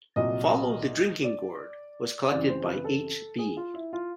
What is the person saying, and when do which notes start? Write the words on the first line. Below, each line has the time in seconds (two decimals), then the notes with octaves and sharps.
"Follow the Drinking Gourd" was collected by H. B.
0.16 C2 A#2 F#3 D#5
1.24 D5
2.31 F#2 C#3 E3 G3 C4 D5
2.49 C5
2.66 B4
2.84 A4
3.38 G#4
3.57 F4
3.74 E4
3.93 F4